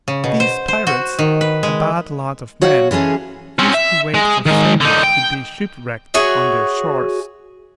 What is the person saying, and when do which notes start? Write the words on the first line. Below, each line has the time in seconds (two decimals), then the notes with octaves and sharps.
These pirates, a bad lot of men, used to wait for sailors to be shipwrecked on their shores.
0.08 C#3
0.24 B2
0.40 C5
0.68 C5
0.87 F#4
1.19 D#3
1.41 B4
1.63 G#3
2.62 F#4 C#5 F5 F#5
2.91 E3 G#3 C#4 G#4 A4
3.59 C4 C#4
3.74 E5
4.14 G#3
4.46 D#3 G#3
4.81 D3 D#4
5.04 G5
6.14 F#4 G#4 C#5 E5